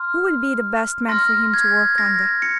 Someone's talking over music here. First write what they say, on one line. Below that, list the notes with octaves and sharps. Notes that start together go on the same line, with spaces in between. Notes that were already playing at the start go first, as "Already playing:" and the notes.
Who will be the best man for him to work under?'
Already playing: C6 F6
C6 F6 A#6
G#6
A#6
C#7